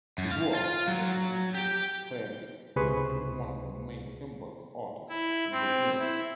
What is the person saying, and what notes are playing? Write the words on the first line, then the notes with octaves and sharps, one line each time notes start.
His works, predominantly poetic, made him one of the main Symbolist authors in Brazil.
F#2
F5
F4
F#3
G4 G5
C#2 C3 G#4 B4 C5 C#6
E4
C4
E4